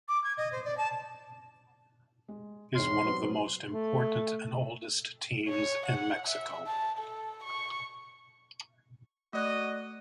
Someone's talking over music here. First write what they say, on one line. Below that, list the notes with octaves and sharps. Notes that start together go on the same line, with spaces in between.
Is one of the most important and oldest teams in Mexico.
D6
G#6
D#5
C5
D5
A5
G#3
E1 C#5 C6 F6
F#3 B3 C4
A3
C#5
F#5
E5
A5
A4
C#6
A3 F#4 D5 D#5 F#6